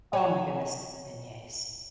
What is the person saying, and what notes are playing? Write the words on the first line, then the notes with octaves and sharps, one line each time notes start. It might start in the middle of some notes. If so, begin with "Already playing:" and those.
Oh my goodness, beignets.
C#5 F#5 G#5